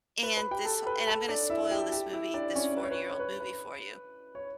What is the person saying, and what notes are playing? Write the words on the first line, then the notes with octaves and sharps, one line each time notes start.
And this h and I'm gonna spoil this movie, this forty-year-old movie for you.
B4 B5
B4 B5
G4 G5
A4 A5
B4 B5
A4 A5
D4 D5
E4 E5
G4 G5
G4 G5
E4 E5
D4 D5
C#4 C#5
B4
C#5
B4
C#5
B4
B4
C#5